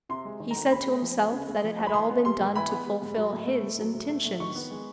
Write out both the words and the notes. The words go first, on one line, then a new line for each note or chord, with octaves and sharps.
He said to himself that it had all been done to fulfil his intentions.
C3 C6
G#3
D#3
A#5
D2
C#3 B5
A3
F3
D2
C#3
A3
F3
D2
B5
E3 C6
B3
G3 C6
G#2
E3 B5
B3
G3
G#2
F#3
A2
A3
A2
F#3
A2
A3
A2
D#3 C#6
B3
G#3